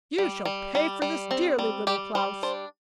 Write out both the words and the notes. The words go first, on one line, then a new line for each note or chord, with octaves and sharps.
'You shall pay for this dearly, Little Klaus!'
G3
G3
G3
G3
C4
G3
G3 G4
G3 C5
D4 C5